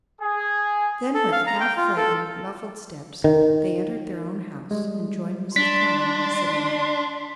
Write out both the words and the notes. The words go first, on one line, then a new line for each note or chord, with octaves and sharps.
Then with half-frightened, muffled steps they entered their own house, and joined Mrs. Prime in the sitting-room.
G#4
A4
F5
A#5
G5
F4
A4
D#3
G3 G#3
D4 C6 B6